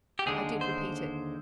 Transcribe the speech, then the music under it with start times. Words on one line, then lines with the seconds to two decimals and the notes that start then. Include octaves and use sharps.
I did repeat it.
0.19 G4
0.26 D#2 D3 G#3 G#4
0.61 C5